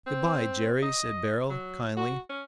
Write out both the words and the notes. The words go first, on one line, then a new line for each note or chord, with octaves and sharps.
"Good-bye, Jerry," said Beryl, kindly.
C4
D#5
F#3
F#4
C#4